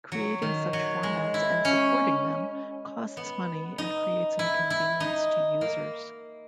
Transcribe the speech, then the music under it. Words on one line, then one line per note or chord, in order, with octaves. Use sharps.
Creating such formats and supporting them costs money and creates inconvenience to users.
F#3
D#3
F#3
G#3
E4
C#4
B3
D#4
E4
E4
D#4
A#3